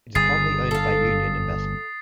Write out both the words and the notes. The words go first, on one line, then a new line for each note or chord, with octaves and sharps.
It is currently owned by Union Investment.
G1 G#4 D#6 A6 C7
A4 F5